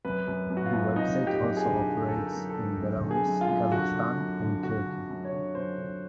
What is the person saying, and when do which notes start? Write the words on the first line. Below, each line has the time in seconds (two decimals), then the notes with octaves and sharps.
The web site also operates in Belarus, Kazakhstan and Turkey.
0.05 F#2 B4
0.27 F#2
0.50 F#2
0.57 F#4
0.66 F4
0.73 F#2
0.96 F#2 D#4
1.19 F#2
1.27 G4
1.42 F#2
1.57 G#4
1.65 D3
1.88 D3
2.08 D3 A4
2.19 A#4
2.34 F#2
2.49 A4
2.57 D3
2.80 F#2
3.03 D3
3.11 G#4
3.26 F#2
3.41 F4
3.49 F#2
3.72 D3 F#4
3.94 D3
4.18 F#2
4.40 D3
4.63 D3 F#4
4.86 D3
5.09 F#2
5.25 C#5
5.32 D3
5.55 F#2 C5
5.78 D3